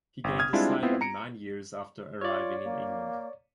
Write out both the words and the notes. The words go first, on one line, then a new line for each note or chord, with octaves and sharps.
He gained asylum nine years after arriving in England.
G1
D#6 F6 G#6
G3 G#3 C4 D4 E4 F4
B3 C4 E4 F4
A#5 C#7 D7
F4 C#5 D5
A#3